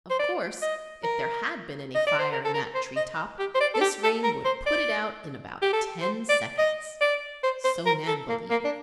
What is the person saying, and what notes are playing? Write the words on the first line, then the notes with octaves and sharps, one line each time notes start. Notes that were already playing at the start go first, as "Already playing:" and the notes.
Of course, if there had been any fire in that tree-top, this rain would put it out in about ten seconds. So Nan believed.
C5
D5
D#5
A#4
D#5
D5
C5
A#4
A4
A#4
C5
D#5
G4
C5
D5
A4
G4
A4
A#4
C5
D5
G4
A4
C5
D5
D#5
D5
C5
C5
A#4
A4
A#3
A#3
D4